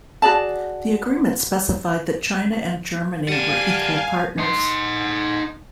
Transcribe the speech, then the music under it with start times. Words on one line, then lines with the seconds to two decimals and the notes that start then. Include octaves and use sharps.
The agreement specified that China and Germany were equal partners.
0.22 F#4 G#4 D5 A5
3.29 G3 F5 F#5 G#5 A5 D#7
4.39 D#4 C6